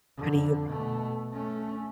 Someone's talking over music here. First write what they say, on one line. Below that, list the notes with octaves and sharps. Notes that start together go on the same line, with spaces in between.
how do you
F2 D3
B2 A3
A3 C#4